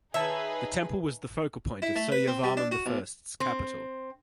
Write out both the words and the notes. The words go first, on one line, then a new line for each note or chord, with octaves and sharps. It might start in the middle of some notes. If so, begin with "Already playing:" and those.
The temple was the focal point of Suryavarman the First's capital.
D#3 D#4 G#4 B4 C#5 E5 A5
E4
A3
B4
C4
G3
D4
F#4
B1
C4